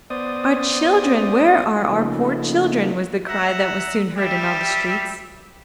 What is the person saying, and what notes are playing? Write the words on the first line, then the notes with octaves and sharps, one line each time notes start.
'Our children! where are our poor children?' was the cry that was soon heard in all the streets.
B3 C5 D5 D#6
C#3 F3 A3 A#3 D#4
E5 F#5 A#5
G3 G4 E5